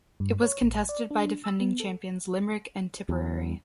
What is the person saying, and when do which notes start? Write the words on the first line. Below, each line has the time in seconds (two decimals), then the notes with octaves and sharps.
It was contested by defending champions Limerick and Tipperary.
0.20 G2
0.42 C#5
0.62 A1
0.89 D5
1.11 D4
1.44 E6
1.61 B3
1.80 A4
3.09 E2